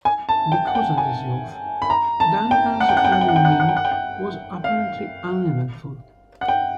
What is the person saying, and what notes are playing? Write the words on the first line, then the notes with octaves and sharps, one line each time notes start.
Because of his youth, Duncan's early reign was apparently uneventful.
G#5
A5
G5
F#5
G5
G#5
B5
A#5
A5
G5
F#5
G5
F#5
G5
F#5
G5
F#5
G5
F#5
G5
F#5
G5
F#5
G5
F#5
F5
F#5
G5